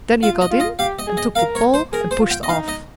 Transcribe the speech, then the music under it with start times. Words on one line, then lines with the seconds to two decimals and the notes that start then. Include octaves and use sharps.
Then he got in and took the pole and pushed off.
0.23 F4 F5
0.41 D#5
0.51 F4
0.60 D#5
0.79 G4 F5
0.99 D#5
1.08 G#4
1.17 D#5
1.35 A#4 F5
1.55 C#5
1.74 C5
1.93 G#4 A#4
2.11 C5
2.20 F4
2.30 G5
2.43 D#5
2.49 D#4 F5
2.68 D#5